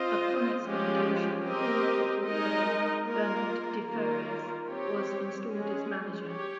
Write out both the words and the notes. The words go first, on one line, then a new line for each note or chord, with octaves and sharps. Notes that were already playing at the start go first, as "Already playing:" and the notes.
Upon its foundation, former football player Bernard Deferrez was installed as manager.
Already playing: C4 F4 C5 D#5
F3 G#3 C#4 G4
C4 G4 A#4 D#5
G#3 D#4 A#4 D#5
A#3 F4 A#4
D#3 A#3 F4 A#4
C4 G4 C#5
G#3 C#4 G#4
G4 C#5